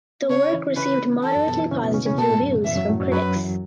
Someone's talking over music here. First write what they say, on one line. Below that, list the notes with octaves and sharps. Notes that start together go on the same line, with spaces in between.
The work received moderately positive reviews from critics.
B3
C#3 C#4 C#5
C#4
E3 E4
C#3 C#4 B4
E3 A4
F#2 F#3
B2 B3
E3 E4
C#3 C#4
B2 B3
C#3 C#4
C#3 C#4
B2 B3 A4
A2 A3
F#2 F#3
C#3
E3 E5
F#2 F#3
A2 A3
F#2 F#3
F#2 F#3 B4
E3